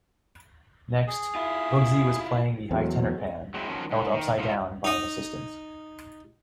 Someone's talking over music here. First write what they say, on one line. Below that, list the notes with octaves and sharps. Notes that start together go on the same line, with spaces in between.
Next, Boogsie was playing the high tenor pan held upside down by an assistant.
G#4
E4 F4
E2 F#3 G#3 A3 C4
F#3 G#3 C4 E4
D#3 F3 F#3 C#4
G#2
D#3
D#4 E4 F#4 C5 F5
D#4 D#6